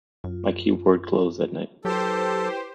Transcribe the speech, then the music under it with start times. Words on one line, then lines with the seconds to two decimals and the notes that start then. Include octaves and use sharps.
My keyboard glows at night.
0.24 F#2 F4
1.85 F#3 E4 G4 A4 B4 C5